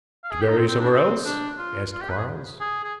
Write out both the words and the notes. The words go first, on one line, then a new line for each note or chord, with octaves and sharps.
"To bury somewhere else?" asked Quarles.
F5
G#4
G4
D#4
C4
C4
D4
C4
D4
F4
F4
G4
B4
G#4
G#4
G#4